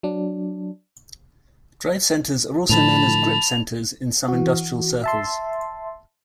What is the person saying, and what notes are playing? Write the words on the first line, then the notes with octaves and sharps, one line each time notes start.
Drive centers are also known as grip centers in some industrial circles.
F#3 D4
A2 D3 F3 A5 B5 F7
E3 F#4
E5 A5 C6